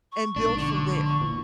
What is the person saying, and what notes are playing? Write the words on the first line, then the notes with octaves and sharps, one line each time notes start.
And build from there,
C#6
A#1 G#2 B2 D4
D3
C#6
E1 A#2 E3